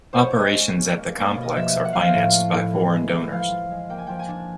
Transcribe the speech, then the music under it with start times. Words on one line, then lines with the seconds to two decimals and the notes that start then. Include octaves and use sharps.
Operations at the complex are financed by foreign donors.
0.13 C5
0.21 C#5
0.31 D5
0.39 G#3 D#5
0.59 C#4
0.78 C#4
0.98 A#3
1.17 A#3 C#5
1.30 D5
1.36 B2
1.43 D#5
1.56 F3 E5
1.76 A#3
1.85 F#5
1.93 F3 F5
2.01 E5
2.08 F5
2.15 A2
2.35 A3
2.54 A2
2.73 E3
2.92 G#3
3.12 E3
3.32 F3 F5
3.51 F3
3.71 G#3
3.90 A#3 G5
3.98 G#5
4.07 F3 G5
4.19 G#5
4.29 D4